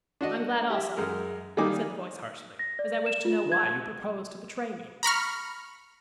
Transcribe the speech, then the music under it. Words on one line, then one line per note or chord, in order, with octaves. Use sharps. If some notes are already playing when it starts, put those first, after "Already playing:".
"I am glad, also," said the voice harshly, "as I wish to know why you propose to betray me."
D4 F#4 D#5
G4 E5
F#2 G#3 A#4
D#3 G3 A#3 D#4 G#5 D6
A#6
D5
E7
F4
G#6
A#5 B5 C#6 F6